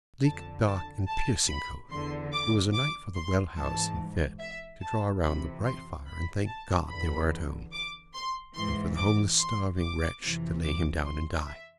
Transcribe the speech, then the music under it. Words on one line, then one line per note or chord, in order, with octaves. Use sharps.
Bleak, dark, and piercing cold, it was a night for the well-housed and fed to draw round the bright fire and thank God they were at home; and for the homeless, starving wretch to lay him down and die.
F2 D3 A5
A5
A5
B5
E2 D3 C6
D6
D6
C6
G#2 E3 A5
E5
A5
F2 C3 E3 B5
C6
B5
A5
E2 D3 B5
D6
C6
G#2 E3 C6
D6
C6
D6
F2 C3 E3
D6
C6
E5